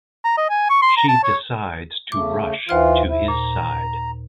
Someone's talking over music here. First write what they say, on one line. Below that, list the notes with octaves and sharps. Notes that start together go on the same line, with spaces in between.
She decides to rush to his side.
A#5
D#5
G#5
C#6
C6
A#5
A5
C#5
C#3 A3 D6
D#2 E3 F4 C5 F6
E4
A#2 A#5